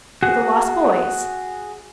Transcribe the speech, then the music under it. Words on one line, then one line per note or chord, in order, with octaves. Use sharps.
"With the lost boys."
F#4 G#4